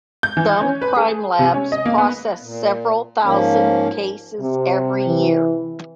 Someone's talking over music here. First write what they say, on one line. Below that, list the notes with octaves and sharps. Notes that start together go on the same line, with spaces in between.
Some crime labs process several thousand cases every year.
G6
E3
C#4
B4
G#4
C3
C#4
D#5
A#3
B3
A#2
G#2 F3 A#3 C#4
C3
E3